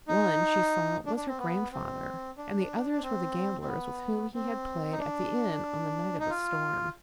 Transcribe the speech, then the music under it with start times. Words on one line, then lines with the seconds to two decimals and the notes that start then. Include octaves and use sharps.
One, she saw, was her grandfather, and the others were the gamblers with whom he had played at the inn on the night of the storm.
0.08 D#4
1.06 D4
1.16 D4
1.28 C4
1.38 B3
1.72 C4
2.37 D4
2.91 D4
3.03 C4
3.61 C4
3.68 B3
4.34 C4
4.92 D#4
4.99 D4
6.20 D#4
6.30 F4